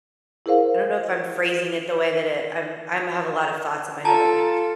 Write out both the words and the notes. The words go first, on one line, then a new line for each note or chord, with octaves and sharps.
I don't know if I'm phrasing it the way that it I'm I'm have a lot of thoughts in my head right now,
E4 G#4 A#4 C5 F5
F4 A4 A5 A#5